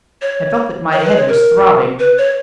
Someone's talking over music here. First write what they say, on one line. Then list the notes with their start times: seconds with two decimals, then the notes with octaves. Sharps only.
I felt that my head was throbbing.
0.22 C#5
0.92 C#5
0.99 A#4
1.04 B4
1.16 C#5
1.28 A#4
1.99 B4
2.18 C#5